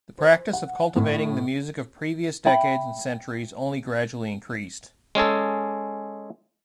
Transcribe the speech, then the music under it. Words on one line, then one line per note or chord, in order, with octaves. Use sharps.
The practice of cultivating the music of previous decades and centuries only gradually increased.
C5
F#5
A2
E5 G5 B5
G#3 C#4 G#4 A4